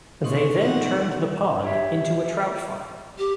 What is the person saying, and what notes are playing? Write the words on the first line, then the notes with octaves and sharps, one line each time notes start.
They then turned the pond into a trout farm.
B2 D#4 C6 C#6
B2 D#3 F3 G3 F#5
G4 C#5 E5
G4